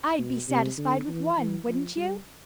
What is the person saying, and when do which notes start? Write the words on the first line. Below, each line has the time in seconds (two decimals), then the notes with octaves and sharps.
I'd be satisfied with one, wouldn't you?
0.19 B2
0.49 C3
0.78 D3
1.08 E3
1.37 E3
1.67 F3
1.96 G3